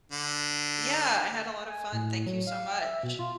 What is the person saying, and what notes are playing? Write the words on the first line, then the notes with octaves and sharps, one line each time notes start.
Yeah, I had a lot of fun, thank you so much.
D3
G#5
A2
F#3
F5
G5
E5
B2
F4